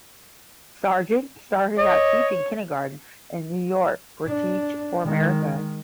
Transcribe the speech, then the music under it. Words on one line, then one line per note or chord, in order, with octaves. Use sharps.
Sargent started out teaching kindergarten in New York for Teach for America.
C#5 D#5
D4
D#3 G#3